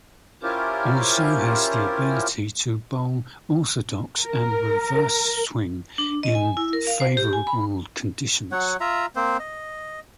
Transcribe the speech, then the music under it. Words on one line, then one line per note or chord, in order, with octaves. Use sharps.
Also has the ability to bowl orthodox and reverse swing in favourable conditions.
C#4 E4 F4 G4 A#4 C5
A#4
D4
D#5
G#5
E4
A#4
F5
C5
G4
G#5
B5
F#3 C#5 F#5
F4 E5 A#5
A#3 C4 C5
D#5